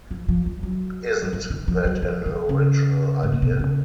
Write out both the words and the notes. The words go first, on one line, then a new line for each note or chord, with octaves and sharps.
Isn't that an original idea?
F3
F3
F3
F#3
F#3
F3
D#3
F3
F#3
F3
D#3
C#3
G#2
A#2
B2
C#3